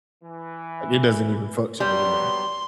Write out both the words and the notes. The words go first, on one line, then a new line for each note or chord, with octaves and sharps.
like, it doesn't even function anymore.
E3
F#3 G3 A#3 B3 C6